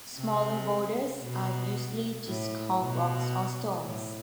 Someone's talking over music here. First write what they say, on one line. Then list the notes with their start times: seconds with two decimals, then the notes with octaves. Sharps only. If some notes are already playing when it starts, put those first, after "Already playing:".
Smaller boulders are usually just called rocks or stones.
0.17 C3
1.22 B2
2.27 A2
2.80 B2
3.85 A2